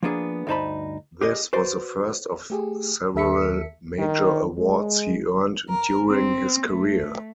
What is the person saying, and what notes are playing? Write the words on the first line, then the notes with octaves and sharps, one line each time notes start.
This was the first of several major awards he earned during his career.
F3 A#3 B3 D4 F#4 G#4
D2 G2 D#4 C5 A5 B5
G4 G#4 D#5
F#4 B4 C5 D5
A3 G4 G#4
D#2 A4 E5 B6 C#7
D#3
G#3
A#4
C4
A3